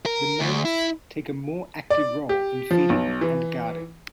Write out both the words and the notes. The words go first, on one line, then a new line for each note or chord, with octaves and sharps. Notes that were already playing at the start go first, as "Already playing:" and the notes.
The males take a more active role in feeding and guarding.
A#4
D2
E4
D5
G4
F3
B1
E3